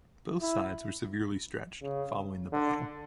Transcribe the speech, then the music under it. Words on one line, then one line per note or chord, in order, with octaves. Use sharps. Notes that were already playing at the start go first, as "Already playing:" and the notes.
Both sides were severely stretched following the battle.
E4
C#3
D3